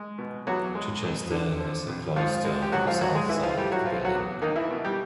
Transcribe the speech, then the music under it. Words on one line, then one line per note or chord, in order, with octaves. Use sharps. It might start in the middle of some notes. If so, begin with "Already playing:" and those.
Chichester has a cloister on the south side of the building.
Already playing: G#3
B2
E2 F#3 F#4
G#3
F2
D3
F3
F2
G#2 F3 F4
G#3
G4
G#2 F#3 F#4
F3 F4
G#2 F#3 F#4
G#3 G#4
E3 E4
F3 F4
G3 A3 G4
F#3 F#4
E3 F3 F4
F#3 F#4
E2
D#3 A#3 D#4
E3 E4
B2
G3 G4